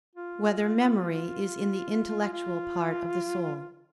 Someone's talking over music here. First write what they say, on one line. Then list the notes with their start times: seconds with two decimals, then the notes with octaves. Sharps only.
Whether Memory Is in the Intellectual Part of the Soul?
0.15 F4
2.33 F4